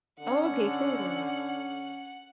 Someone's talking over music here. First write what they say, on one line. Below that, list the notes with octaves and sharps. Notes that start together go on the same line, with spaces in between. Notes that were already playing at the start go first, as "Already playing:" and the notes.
Oh okay, full.
D3 C#4 F#5